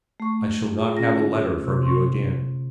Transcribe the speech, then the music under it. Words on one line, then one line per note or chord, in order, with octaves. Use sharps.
"I shall not have a letter from you again."
A3 C#6
F4 G#4
D3 C#4 F4 A#6
C3
C6 C#6